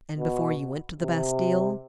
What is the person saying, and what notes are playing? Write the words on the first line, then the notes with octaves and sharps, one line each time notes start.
"And before you went to the Bastile?"
B2
C3